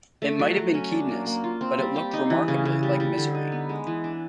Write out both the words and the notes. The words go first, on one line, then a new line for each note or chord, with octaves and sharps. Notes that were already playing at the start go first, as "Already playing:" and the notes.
It might have been keenness, but it looked remarkably like misery.
A3
F#3
F#3
C#4
D4
A#3
A#3
F4
C4
G3
G4
D#4
E3
C#3
C#3
G3
G3
D3
D#4
B3
G#3
E3
D4